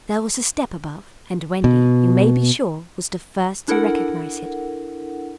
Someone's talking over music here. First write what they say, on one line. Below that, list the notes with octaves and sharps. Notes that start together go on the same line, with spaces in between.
There was a step above, and Wendy, you may be sure, was the first to recognise it.
B2
D4 E4 A4 A#4 F#5